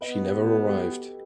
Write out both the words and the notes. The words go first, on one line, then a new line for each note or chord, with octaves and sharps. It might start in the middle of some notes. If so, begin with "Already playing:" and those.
She never arrived.
B3 B4 D#5
G4 B4
F#4 A4
G4 B4